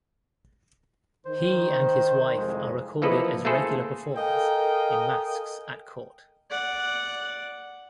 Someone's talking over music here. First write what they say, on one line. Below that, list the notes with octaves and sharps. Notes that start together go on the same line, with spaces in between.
He and his wife are recorded as regular performers in masques at court.
D#3 C5
C2 F2 G#3
E3 F3 A#3 A4 B4 D#5
A3 A#3 E4 G#4 A4 C5
A4 A#4 D#5 F5 G5 G#5
D5 F#5